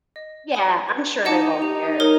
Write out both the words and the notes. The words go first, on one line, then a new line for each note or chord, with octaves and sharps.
Yeah, I'm sure they won't care,
D#5
G#5 B5 D#6
B4
D#4 D#5 F#5 A5 D6
D#4 G4
A#4 C#5